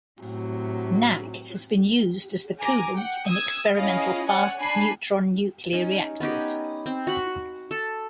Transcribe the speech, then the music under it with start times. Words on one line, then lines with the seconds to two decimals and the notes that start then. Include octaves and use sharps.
NaK has been used as the coolant in experimental fast neutron nuclear reactors.
0.20 A2 C3 F#3
2.59 G#5 A#5 D6
2.95 F#5 G5
3.26 D#6 E6 G#6
3.75 C#4 E4 G#4 D#5 F5
4.26 C#5 D5 F#5 G#5
4.58 D4 G#5 B5 C7
5.73 C#4 D#4
6.20 B3 C#4 D#4 G4
6.86 C4
7.07 F#4 B5
7.71 A4